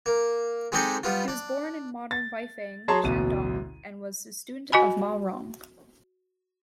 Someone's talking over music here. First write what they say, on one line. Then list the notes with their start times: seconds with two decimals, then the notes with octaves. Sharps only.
He was born in modern Weifang, Shandong, and was a student of Ma Rong.
0.06 A#3
0.72 G#3 C4 D#4 G4 A4
1.03 G3 B3 F4
1.28 D4
2.11 A6
2.88 F#3 G#4 C#5 A5 A#5 C6
3.03 A1 D2 B2 D#7
4.72 F#4 D#5 G#5 B5